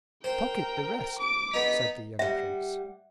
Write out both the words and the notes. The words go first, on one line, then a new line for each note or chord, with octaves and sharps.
"Pocket the rest," said the young prince.
A#4 C5 G5
D6 D7
B3 D#4 B6
G3 E5 F#5